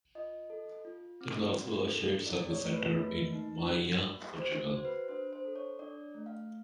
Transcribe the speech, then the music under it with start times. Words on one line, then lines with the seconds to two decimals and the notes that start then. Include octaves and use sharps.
There's also a Shared Service Center in Maia, Portugal.
0.15 F4 D#5
0.50 A4
0.85 F4
1.21 C4
1.55 F#4
1.91 A4
2.26 E4 D5
2.50 C#5
2.61 A3
2.73 B4
2.97 A#3
3.32 D#4
3.67 F#4
4.03 A#3
4.38 F#4 C5
4.62 C5
4.73 F#4 C5
4.85 B4
5.08 D4 C5
5.33 C5
5.44 A4
5.56 C#5
5.79 D4 D5
6.15 A3
6.26 F5